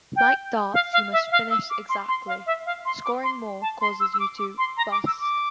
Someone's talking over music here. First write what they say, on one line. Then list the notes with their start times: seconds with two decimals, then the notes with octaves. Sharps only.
Like darts you must finish exactly - scoring more causes you to "bust".
0.16 G5
0.73 F5
0.92 F5
1.12 E5
1.31 F5
1.50 E6
1.70 D6
1.89 C6
2.08 C6
2.27 F5
2.46 E5
2.65 F5
2.85 C6
3.04 D6
3.23 C6
3.61 A5
3.81 C6
4.00 E6
4.13 E6
4.19 D6
4.38 D6
4.58 C6
4.77 A#5
4.91 D6
5.06 E6
5.20 D6